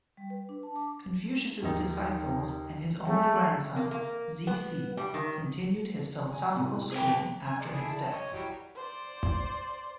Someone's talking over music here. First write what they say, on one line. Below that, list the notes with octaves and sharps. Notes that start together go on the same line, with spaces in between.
Confucius's disciples and his only grandson, Zisi, continued his philosophical school after his death.
G3
B4
D4
A5
D6
D#2 D#4
G#3 A3
A#3
A#3
B3
G3
D#3
G#5
A2 C3
C4 G#4 A#4 G5
G#5
G#3 D5
D4 E4 G#4
A5
C#5 D#5
E3 F#3 G3
C5 D5